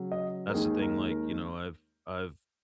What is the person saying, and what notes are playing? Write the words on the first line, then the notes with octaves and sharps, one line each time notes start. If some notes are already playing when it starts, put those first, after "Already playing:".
that's the thing, like, you know, I've I've
Already playing: C#3 F#3 C#4
D#5
A#4
D#2 D#3 G#3 D#4 G#4
A#4
A#4